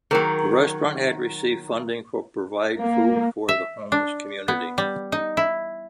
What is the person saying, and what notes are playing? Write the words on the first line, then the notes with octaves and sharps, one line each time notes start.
The restaurant had received funding for provide food for the homeless community.
D#3 F#3 G#4 A#4 G5
A#3
E5
D4
B3
G3
D#4
E4